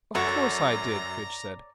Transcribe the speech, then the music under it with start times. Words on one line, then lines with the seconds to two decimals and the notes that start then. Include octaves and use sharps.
"Of course, I did," Fitch said.
0.15 F#2 A4 C#5 D5 F#5 A#5